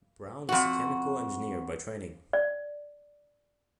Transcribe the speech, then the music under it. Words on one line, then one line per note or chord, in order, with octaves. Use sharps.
Brown is a chemical engineer by training.
F2 F#4
D5